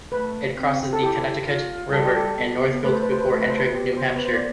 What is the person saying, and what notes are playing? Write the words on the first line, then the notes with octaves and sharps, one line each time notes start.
It crosses the Connecticut River in Northfield before entering New Hampshire.
A3 B4
C4
A4
E4 G4
F4
G3 A4
G4
A4
B3
A3 B4
C5
B4
C5
B4
A3 C5
B4
C5
B4
B3 G4
C5
B4
C5
D5